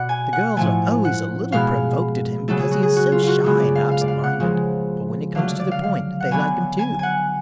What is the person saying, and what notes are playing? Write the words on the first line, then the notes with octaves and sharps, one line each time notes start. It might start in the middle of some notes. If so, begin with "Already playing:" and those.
The girls are always a little provoked at him because he is so shy and absent-minded, but when it comes to the point, they like him too.
Already playing: B2 D5 F#5
G#5
F#5
A2 F3 A3 G#5
F#5
B2 G#3 B3 F5
C#3 F#3 A3 A4
G#4
F#4
G#4
F#4
F4
F4 F#4
C#3 G#3 B3 F#4
D5
F5
F5
D5
F5
F#5
C#3 F3 G#3
D3 F#3 A3 F5
D5
D5
F5
F5
F#5
D3 F#3 B3 G#5
G#5
F#5 G#5